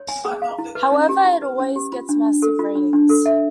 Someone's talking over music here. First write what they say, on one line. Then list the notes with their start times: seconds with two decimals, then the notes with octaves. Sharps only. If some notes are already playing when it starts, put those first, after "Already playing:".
However it always gets massive ratings.
Already playing: C#5
0.09 G#5
0.25 G#4
0.42 F5
0.58 E4
0.75 B4
0.92 C#4
1.09 G4
1.25 E4
1.42 B4
1.59 C#4
1.76 G4
1.92 F4
2.09 D4
2.26 D4
2.42 A4
2.59 F4
2.76 D4
2.93 D4
3.09 A4
3.26 E5